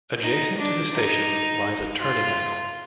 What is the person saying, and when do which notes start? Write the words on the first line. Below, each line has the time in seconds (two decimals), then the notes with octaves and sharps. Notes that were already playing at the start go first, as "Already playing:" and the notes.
Adjacent to the station lies a turning angle.
0.22 D#4
0.58 D4
0.93 D#4
1.99 F4